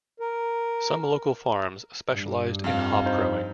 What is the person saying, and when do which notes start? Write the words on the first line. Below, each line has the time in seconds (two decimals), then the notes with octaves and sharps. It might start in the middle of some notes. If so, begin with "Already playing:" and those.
Some local farms specialised in hop growing.
0.20 A#4
2.09 G2
2.64 F2 F5
3.06 D#4 C5